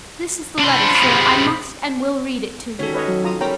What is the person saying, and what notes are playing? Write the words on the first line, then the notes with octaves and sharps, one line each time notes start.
This is the letter, sir; I must and will read it to you.
D4 F4 C5 B5 C6
C3 G#3
D#3 C#4 F#4 A4 C#5
B4 C#5 D#5
F#3
F4 A#5 D#6
G3 C#4 A#4 C#5 G5 A#5 B5